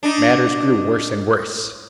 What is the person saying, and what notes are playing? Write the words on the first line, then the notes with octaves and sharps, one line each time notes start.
Matters grew worse and worse.
D4 D#4